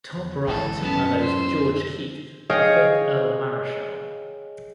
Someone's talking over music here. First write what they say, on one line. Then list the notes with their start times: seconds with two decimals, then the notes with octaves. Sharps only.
Top right are those of George Keith, the fifth Earl Marischal.
0.12 E2
0.47 G#1 D3 E3 A4
0.82 F#2 F#3 B3 C#4 A5
1.19 C5 E6
1.57 F#2
2.50 G#4 C#5 D#5 F5 G5